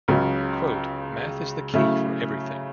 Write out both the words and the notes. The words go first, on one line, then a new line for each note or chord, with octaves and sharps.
Quote: "Math is the key for everything".
C#2 C#3 F#3
C#3 F#3 A3 E4